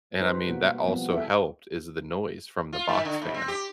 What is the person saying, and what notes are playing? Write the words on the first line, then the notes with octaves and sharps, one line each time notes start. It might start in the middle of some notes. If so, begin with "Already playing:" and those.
and, I mean, that also helped, is the noise from the box fan.
G3 C4 D#4 B4 C5
B2 A#3 F#4
B3
F3 G3 B3 C4
E4 G#4 A4 E5
F4
D#3
D3
D#2
C4
G4